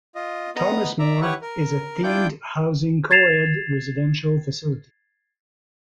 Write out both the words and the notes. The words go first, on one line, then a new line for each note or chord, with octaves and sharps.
Thomas More is a themed housing co-ed residential facility.
F4 D#5
B3 D#5 A#5 D#6
D5 E5 A#5
E4 G4 B4 C#5 F#5 C#6
A#4
D4 E4 F4 G5 D6 G6
G#6 A6 C7 E7 F7